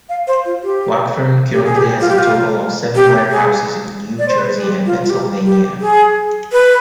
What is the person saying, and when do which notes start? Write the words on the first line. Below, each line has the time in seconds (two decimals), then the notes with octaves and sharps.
Wakefern currently has a total of seven warehouses in New Jersey and Pennsylvania.
0.09 F5
0.27 C5
0.45 F4
0.63 G4
1.53 G4
1.65 G#4
1.76 G4
2.00 F4
2.09 G4
2.18 F4
2.95 G4
3.31 G#4
4.19 D5
4.28 C5
4.38 B4
4.56 G#4
4.62 G4
4.86 F4
5.04 F4
5.10 G4
5.45 G4
5.80 G#4
6.52 B4